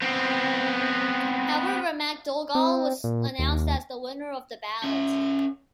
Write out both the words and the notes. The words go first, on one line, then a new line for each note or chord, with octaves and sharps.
However MacDougall was announced as the winner of the ballot.
B3 C4
C4
A#2
D#2
C#4 E5